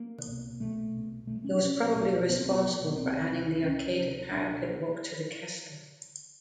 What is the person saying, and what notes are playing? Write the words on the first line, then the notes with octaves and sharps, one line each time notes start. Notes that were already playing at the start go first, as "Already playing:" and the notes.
He was probably responsible for adding the arcaded parapet walk to the castle.
Already playing: A#3
C2 B2
C2 B2 A3
C2 B2
C2 B2 A3
G#3
C#4
D4
C2 B2 C#4
C2 B2
C2 B2 B3
C4
B3
C2 B2
C#2 C3 C4
C#2 C3
C#2 C3 C#4
C#2 C3
C#2 B2 D4